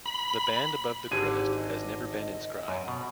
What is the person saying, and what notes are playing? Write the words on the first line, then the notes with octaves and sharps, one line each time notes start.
The band above the crest has never been inscribed.
B5
G#1 D3 G4 G#5
D#5
F#2
B2